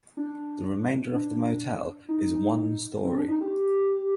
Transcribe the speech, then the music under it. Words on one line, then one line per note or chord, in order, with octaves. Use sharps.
The remainder of the motel is one story.
D4
D4
D#4
C4
D4
D#4
G4